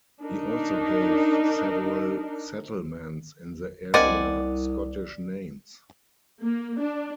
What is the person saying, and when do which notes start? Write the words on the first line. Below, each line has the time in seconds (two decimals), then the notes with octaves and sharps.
He also gave several settlements in the area Scottish names.
0.22 D4 D#4 A#4
3.94 C2 A#3 C4 D5 D#5 F#5 G#5
6.42 A#3
6.80 D4